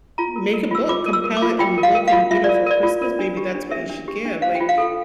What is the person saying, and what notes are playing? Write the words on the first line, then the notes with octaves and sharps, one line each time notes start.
Make a book, compile it and book, and, you know, for Christmas, maybe that's what you should give, like,
F4 A#5
A#4
A#4
F4 E6
F4 D6
A#4
E6
A#4
D6
F4
F4 G5
A#4
F5
A#4
F4 F5
F4 E5
A#4 D5
A#4 D5
F4
A#4
D4
G4
D4
A#4 E5
D4
G4
D4
C5 F5
G5
F4
F5
A4